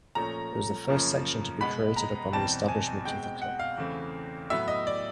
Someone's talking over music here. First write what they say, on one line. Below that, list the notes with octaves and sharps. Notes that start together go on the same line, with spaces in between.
It was the first section to be created upon establishment of the club.
A#2 F3 A3 C#4 A#5
F#2 C#3 F3 A#3 C#4
B2 G#3 B3 B5
A#5
E2 B2 G3 C4 A5
G#5
B2 G#3 C4 G5
G5
F#5
F5
E2 C#3 E3 A3 C4
A2 F#3 B3 E5
D#5
D5